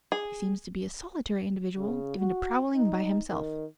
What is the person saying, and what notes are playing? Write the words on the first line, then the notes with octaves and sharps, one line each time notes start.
He seems to be a solitary individual, given to prowling by himself.
G#4
C#3
F#4
D#4
D#3